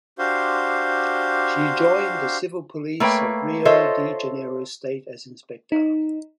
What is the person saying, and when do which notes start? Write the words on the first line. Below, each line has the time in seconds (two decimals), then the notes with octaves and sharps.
She joined the Civil Police of Rio de Janeiro State as Inspector.
0.19 D4 F#4 G4 C5 F5 C6
3.00 A3 A#3 B4 C#5 G5
3.65 F4 A4 C5 C#5 D#5 E5
5.72 D#4